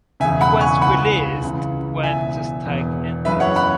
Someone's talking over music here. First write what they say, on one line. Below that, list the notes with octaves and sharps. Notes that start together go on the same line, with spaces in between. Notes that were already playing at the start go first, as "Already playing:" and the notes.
He was released when the strike ended.
E1 E2 C#3 E5 G#5
F#5 B5
G#5 C#6
C#2 C#3 E3 F#5 B5
C#2 C#3 E3
E1 E2 E3 E5 G#5
E1 E2 E3
F#1 F#2 C#3 E3 B4 E5
C#5 F#5
F#5 B5